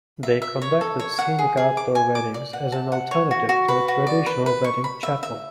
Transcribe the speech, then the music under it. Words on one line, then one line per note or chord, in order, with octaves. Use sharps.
They conducted scenic outdoor weddings as an alternative to a traditional wedding chapel.
E5
E5
C#5
A4
C#5
F#5
G#4
G#4
D6
G#5
D6
D5
F#5
A5
F#5
C#5
F#4
F#4
B4
F#4
D5
B4
B4
C#6
B5
E5
E5